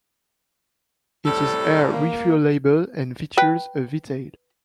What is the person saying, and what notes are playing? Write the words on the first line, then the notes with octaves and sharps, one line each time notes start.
It is air refuelable and features a V-tail.
A2 C3 G3 A4
A#3
B4 G5